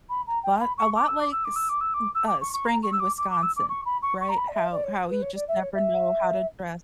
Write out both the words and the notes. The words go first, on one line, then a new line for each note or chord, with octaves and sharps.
but a lot like s m uh, spring in Wisconsin, right? How how you just never know how to dress,
B5
A#5
G5
B5
C#6
D6
E6
D6
E6
D6
E6
D6
E6
D6
E6
D6
C#6
C#6
A#5
C#6
E6
D6
D6
D6
E6
D6
C#6
B5
C#6
C#6
A#5
B5
D5
E5
D5
C#5
B4
C#5
D5
E5
C#5
E5